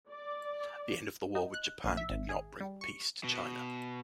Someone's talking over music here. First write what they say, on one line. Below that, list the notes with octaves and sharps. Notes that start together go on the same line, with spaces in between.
The end of the war with Japan did not bring peace to China.
D5
D#4
F#6
A#1
E5
G#1
G#4
G3
C#6
B2